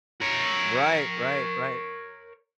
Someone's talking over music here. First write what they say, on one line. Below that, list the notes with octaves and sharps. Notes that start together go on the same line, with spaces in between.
Right, right, right.
A#4 C#5